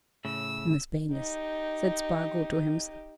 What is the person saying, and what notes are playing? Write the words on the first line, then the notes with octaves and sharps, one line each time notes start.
"Miss Baylis," said Spargo to himself.
A2 C#3 E6
D#4 G4